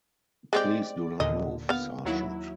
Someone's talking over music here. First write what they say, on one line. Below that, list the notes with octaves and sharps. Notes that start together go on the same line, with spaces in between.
Please do not move, Sergeant.
G#3 C4 G4 D5
D#2 A#2 D3 D#5
B3 F5
D#2 F#3 E4